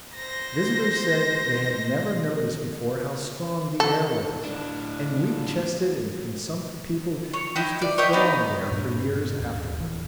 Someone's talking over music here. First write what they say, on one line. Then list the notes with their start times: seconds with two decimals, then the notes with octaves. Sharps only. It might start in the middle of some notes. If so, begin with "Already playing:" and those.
Visitors said they had never noticed before how strong the air was, and weak-chested and consumptive people used to throng there for years afterwards.
0.16 C5 A#6
3.80 A4
4.45 A2 D4
7.33 C#5
7.56 D#4 E4 G5
7.82 D5
7.98 C#5 D#5 E5 G5
8.13 B3 D#4
8.71 G2 A#2 D4
9.40 D#2 G#2
9.77 D#1 A2 E3 F3